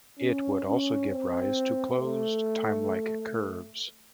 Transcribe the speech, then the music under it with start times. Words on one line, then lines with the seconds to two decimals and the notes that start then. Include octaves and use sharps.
It would also give rise to closed timelike curves.
0.18 C#4
0.64 C#4
1.09 C4
1.98 A3